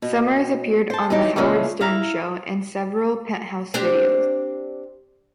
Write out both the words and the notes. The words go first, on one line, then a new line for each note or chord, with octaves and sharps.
Summers appeared on "The Howard Stern Show" and several Penthouse videos.
B2
C5 A5
E3 F#3 D#4 G4
A#2 C#3 E3 G#3 A3
E4 F5 A#5
C4 D4 G4